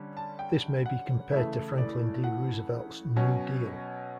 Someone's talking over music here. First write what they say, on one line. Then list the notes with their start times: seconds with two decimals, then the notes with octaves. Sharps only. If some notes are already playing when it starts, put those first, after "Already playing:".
This may be compared to Franklin D. Roosevelt's New Deal.
Already playing: D3 G3 C#4
0.17 A5
0.39 G5
0.86 F#5
1.32 C#3 E3 A3 E5
1.78 D5
2.24 F#5
3.16 B2 F#3 C#4